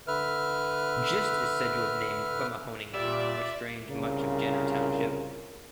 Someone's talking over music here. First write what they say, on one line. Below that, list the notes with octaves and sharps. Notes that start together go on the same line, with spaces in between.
Gist is said to have named Quemahoning Creek, which drains much of Jenner Township.
D3 B4 E5 F6
A#2 G3 F4 D5 E5
C2 C#3 F4 A#4